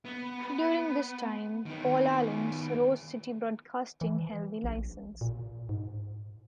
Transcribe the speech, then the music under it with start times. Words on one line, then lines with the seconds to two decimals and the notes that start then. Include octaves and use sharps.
During this time, Paul Allen's Rose City Broadcasting held the license.
0.05 B3
1.66 D#3 B3
4.01 E3
4.64 A#1
5.21 A#2
5.69 G#2